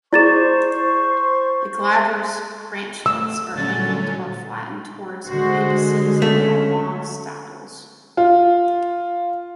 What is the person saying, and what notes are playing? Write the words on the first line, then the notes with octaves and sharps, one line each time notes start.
The glabrous branchlets are angled or flattened towards apices and have long stipules.
E4 G#4 C5 D5 C#6 A6 E7
A3 E6
A#2 D3 F#3 G3 C#4 A6
D3 G#3 F#4 C5
A3 C#4
F4